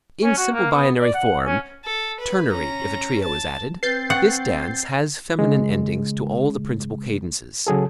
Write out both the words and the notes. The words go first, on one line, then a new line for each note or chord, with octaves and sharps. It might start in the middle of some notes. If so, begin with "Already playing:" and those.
In simple binary form--ternary if a trio is added--this dance has feminine endings to all the principal cadences.
C#4
F#4
A#3
B3
D5
F#5
C#4
A4
B4
C#4 A#5
A5
C4 B4 G6 A6 C7
F#5 G5 C#6
C#3 G#3
C#3 F#3 G#4 A4